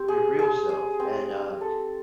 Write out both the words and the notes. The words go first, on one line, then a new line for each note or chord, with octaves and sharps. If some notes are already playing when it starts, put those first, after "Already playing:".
your real self and, um,
Already playing: C4 G4
G#4
G#4
G#4
C4
C4
A4